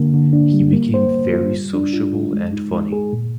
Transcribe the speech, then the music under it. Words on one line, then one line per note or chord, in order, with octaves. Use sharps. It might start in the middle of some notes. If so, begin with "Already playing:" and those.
He became very sociable and funny.
Already playing: D3 A#3
D3
D4
G3
A#3
C5
A#3
F4
G3
D4
F4
F4
G#3
D#4
G#3
G#4
A#2